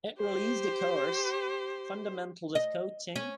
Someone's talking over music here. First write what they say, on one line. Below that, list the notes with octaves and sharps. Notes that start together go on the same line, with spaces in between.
It released a course, Fundamentals of Coaching.
G4 C5
D#5
C#4